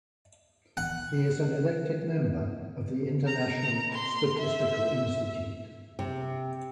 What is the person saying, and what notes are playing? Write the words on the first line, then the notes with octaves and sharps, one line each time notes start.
He is an elected member of the International Statistical Institute.
F#5
A#5
C6
E5
C3